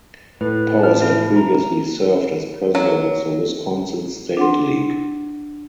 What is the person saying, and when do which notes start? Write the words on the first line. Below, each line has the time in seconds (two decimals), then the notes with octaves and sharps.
Powers had previously served as president of the Wisconsin State League.
0.41 A2 B4
0.79 A5 F6
1.01 E4
1.36 A#5
2.75 F#3
4.37 D4 F#5 C6